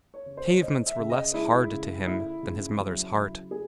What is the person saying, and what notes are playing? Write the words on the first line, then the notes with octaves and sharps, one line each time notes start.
The pavements were less hard to him than his mother's heart.
C#5
C#3
C5
C#5
C5
G#3 D#5
E5
C#3
D#5
G#3 E4
C#3
A3 E4
C#3
F#3
C#3
A3 G#4